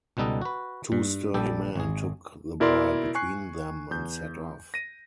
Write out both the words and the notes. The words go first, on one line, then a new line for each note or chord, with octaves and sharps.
Two sturdy men took the bride between them and set off.
C#2 B2 G3 D#4 A4 D#5
F#4 B4
G2
A#1 G3 A4 D5 G5
G#1 G#4
B2 E4 A#4 D5 C6 E6
G#5 C#6 F#6 C7
E2 G6
A#6 D#7